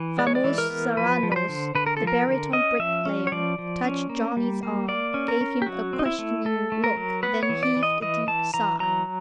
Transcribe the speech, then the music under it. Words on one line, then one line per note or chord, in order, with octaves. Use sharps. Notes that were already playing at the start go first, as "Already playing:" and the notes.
Famos Serranos the barytone bricklayer, touched Johnny's arm, gave him a questioning look, then heaved a deep sigh.
Already playing: E3
G#3 D5
C#5
D5
E3
A#4
B3
F3 B4
F3
B4
C5
D3
D3 B4
A#4
A4
F3
A#4
D3
C#4 D#5
F3 E5
C#4
C#5
F3 D5
F3
C#4
A#3
G3
A#3
A#3 D5
C#4
A#4
C#4
G4
F#3 F#4
C4
D#4
E4
A3
A3 A4
A3
A#4
F#3
B3 B4
C#5
E3
D5
E3
D#5
E3 D#5
E3 A5
E3 A#5
F#3 A#5